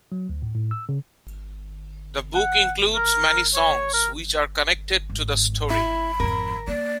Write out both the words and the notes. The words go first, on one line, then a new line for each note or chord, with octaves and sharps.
The book includes many songs which are connected to the story.
F#3
D2
A2
A2
E6
C#3
F#5
A#4
C#5
A#4
G#2
E4 B5
F2 G#2 A#4
A#3 D5